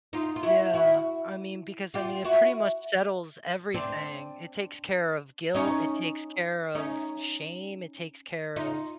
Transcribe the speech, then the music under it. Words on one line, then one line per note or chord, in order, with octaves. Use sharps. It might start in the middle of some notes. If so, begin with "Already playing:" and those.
Yeah, I mean, because I mean, it pretty much settles everything. It takes care of guilt. It takes care of shame. It takes care of
D#4 F4
F4
E4 F#4
E4 F#4
F4 G4
E4 F#4
C4 D4
C#4 D#4
C#4 D#4
D#4 F4